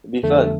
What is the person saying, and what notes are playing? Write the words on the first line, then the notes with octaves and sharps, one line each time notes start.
Be fun.
F2 D3 F3 A3 B3 D4